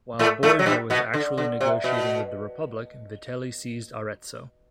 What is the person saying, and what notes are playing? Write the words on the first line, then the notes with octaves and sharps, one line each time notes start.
While Borgia was actually negotiating with the republic, Vitelli seized Arezzo.
A2 A3
A2 A3
F#3
G2 G3
B2 B3
D3
D3
C3
B2